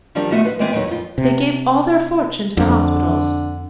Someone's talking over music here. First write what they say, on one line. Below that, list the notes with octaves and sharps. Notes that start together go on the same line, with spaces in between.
"They gave all their fortune to the hospitals."
D#3 F3 G3 C4 D4 F4
A3 B3 D#4 F4 F#4
F3 F4 B4
E3 G#3 B3 C4 F4
D#2 F#3 D#4
F2 F4
C3
F2 D3